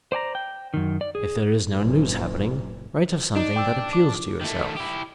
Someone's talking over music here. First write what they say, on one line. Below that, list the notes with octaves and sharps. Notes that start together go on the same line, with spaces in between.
If there is no news happening, write of something that appeals to yourself.
C5 D5 G#5 A#5
G5
F#2 D#3
D5
G#4
F#1 A#2
D4 D#4
G5 D6 E6
D6
D#3 A3
E4 G4